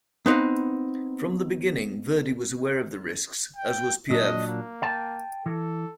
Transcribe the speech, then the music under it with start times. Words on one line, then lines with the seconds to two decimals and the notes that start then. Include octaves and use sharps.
From the beginning, Verdi was aware of the risks, as was Piave.
0.26 B3 C4 D#4 B4 F5
3.56 G5
4.10 A#2 F#3 D4 D#5
4.48 A#3
4.83 G5 A5
5.46 E3 A4